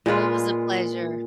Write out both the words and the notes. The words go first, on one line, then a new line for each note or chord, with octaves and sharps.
Oh, it was a pleasure.
A#2 G#3 F4 B4